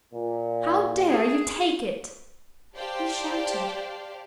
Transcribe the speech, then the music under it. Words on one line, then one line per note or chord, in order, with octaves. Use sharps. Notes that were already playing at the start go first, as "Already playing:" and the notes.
"How dare you take it?" he shouted.
A#2
G#4
G4 C5 D5 F5 G5 A5